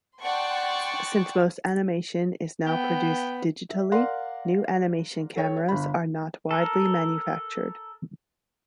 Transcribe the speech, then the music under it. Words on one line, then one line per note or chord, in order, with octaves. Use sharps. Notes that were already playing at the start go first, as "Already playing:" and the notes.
Since most animation is now produced digitally, new animation cameras are not widely manufactured.
D5 F#5 G5 A5 C6 C#6
B3 G5
E5
A#4 D5 F5 F#5 C6
A4 C#5 G5
G1 B5
A4 A#4